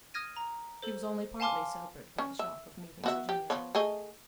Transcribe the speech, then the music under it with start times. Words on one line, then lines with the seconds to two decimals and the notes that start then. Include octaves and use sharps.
She was only partly sobered by the shock of meeting Virginia.
0.14 D#6 F6 G#6 A#6 D#7
0.36 A#5
0.82 A4 C5
1.40 F5 G#5 A5 C6 D6 F6
2.18 C#4
2.39 E5
3.04 B3 F#4 E5
3.29 G4
3.50 F3 B3 C#5
3.75 A3 G#4 D#5